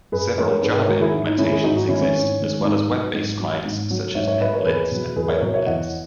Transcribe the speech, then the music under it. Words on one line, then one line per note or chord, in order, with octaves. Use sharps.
Several Java implementations exist, as well as web-based clients, such as NetBlitz and WebBlitz.
F#2 G#4 B4
E3 G#3 A#4 C#5
G#2 G#4 B4
A#4 C#5
D#3 G#3 F#4 A#4
E4 G#4
G#2
D#4
D#3 G#3 C#4 E4
E4 G#4
G#2 D#4 F#4
D#4 F#4
D#3 G#3 C#4 E4
C#4
G#2
D#3 G#3
G#2 D#4
F#3
G#2
F#3
G#2
F#3
G#2 C#5 E5
C#5 E5
F#3 B4 D#5
A#4 C#5
E2 G#4 B4
B2 F#3
E2 G#4 B4
A#4 C#5
B2 F#3 A#4 C#5
C#5 E5
E2 D#5 F#5